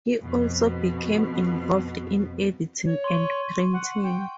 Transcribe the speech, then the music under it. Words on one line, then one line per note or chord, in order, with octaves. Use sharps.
He also became involved in editing and printing.
F2 B2
C#5
C6 C#6 D#7
F#5
G5